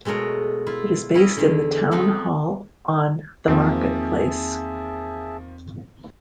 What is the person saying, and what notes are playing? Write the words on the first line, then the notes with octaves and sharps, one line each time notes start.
It is based in the town hall on the Market Place.
B2 G#3 A3 A#4 C#5
E4 F4
C#4 E4 D#5
E2 D3
F3 B3 C4 D#4
E2 D#3 F3 A#3 C4 G#4 E5 A5